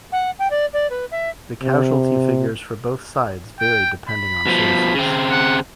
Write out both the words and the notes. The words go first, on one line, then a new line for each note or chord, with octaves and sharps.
The casualty figures for both sides vary depending on sources.
F#5
G5
D5
D5
B4
E5
C3
G5
B5
B2 F3
C#3 C4
F#5